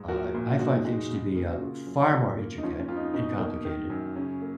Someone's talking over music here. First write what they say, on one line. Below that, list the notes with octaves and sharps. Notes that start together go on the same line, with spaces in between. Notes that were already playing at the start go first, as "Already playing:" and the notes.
uh, I find things to be, uh, far more intricate and complicated.
Already playing: G#2
F3 F#4 A#4
A#2
G#3 D#4 F#4
G#3 D#4 F#4
C#3
A#3
F#4
C#3 C#4 F4
F#2
C#3 C#4 F4
A#3
D#4
F3 C#4 F4
C#4
F2 F4
D#4
B2 D#4
A#3
D#3
F#2
C#3 C#4
A#3